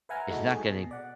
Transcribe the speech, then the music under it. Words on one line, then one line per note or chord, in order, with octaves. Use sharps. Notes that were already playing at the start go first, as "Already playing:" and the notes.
it's not gonna
B4 E5 F#5 G#5 A#5 F6
G#3 A3 D#4 E4 F#4 A4
G#4
B2
D5 F#5